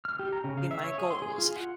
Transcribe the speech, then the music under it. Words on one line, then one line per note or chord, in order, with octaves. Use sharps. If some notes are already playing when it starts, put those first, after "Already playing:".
my goals.
F6
G4
A#5
C#3
F5
E5
C#5
G#4
C6
G#4
F4
F#5